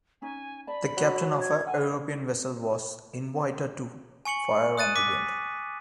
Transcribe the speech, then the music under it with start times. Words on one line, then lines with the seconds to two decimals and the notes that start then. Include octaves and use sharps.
The captain of a European vessel was invited to fire on the wind.
0.22 C#4 D#4 G#5
0.67 D5 A5 B5
0.97 F#3
1.41 G#6
1.67 F#5 G#5
4.25 G#5 C#6 C#7 F#7
4.78 D#6 F#6 A6 D#7
4.96 D6 B6